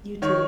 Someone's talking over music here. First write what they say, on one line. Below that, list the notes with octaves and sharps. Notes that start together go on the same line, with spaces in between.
You too.
D#3 C#5